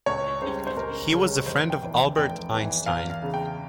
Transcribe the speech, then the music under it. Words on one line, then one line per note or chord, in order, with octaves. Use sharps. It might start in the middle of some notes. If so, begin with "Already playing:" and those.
He was a friend of Albert Einstein.
C#2 C#5
C#3 G3 C#4 C5
C5
C#2 A#4
C#3 G3 C#4
F1 C5
G5
E2 E3
F1 G5
E2 E3
E2 F5
F5
C#3 E3
G5